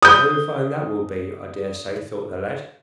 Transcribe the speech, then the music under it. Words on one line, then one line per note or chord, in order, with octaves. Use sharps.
"Very fine that will be, I dare say," thought the lad.
D#6 G6